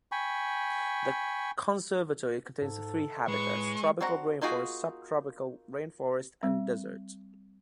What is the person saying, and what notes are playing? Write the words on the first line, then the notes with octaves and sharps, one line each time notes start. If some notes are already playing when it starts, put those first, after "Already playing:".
The conservatory contains three habitats: tropical rainforest, subtropical rainforest, and desert.
G5 G#5 B5 C#6
G#2 A4
A2 G#3 B4 C#6
C4 D4 F#4 F#5 A#5
A#3 D#4 F4 F#4 G#4
G3 C4